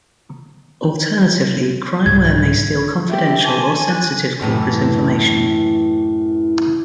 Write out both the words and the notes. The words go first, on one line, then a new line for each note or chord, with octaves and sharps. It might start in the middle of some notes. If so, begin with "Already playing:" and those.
Alternatively, crimeware may steal confidential or sensitive corporate information.
C2 G#2 G#6
G4 E5
G#5 A5 C6 D6
F#6
F#2 A2 E3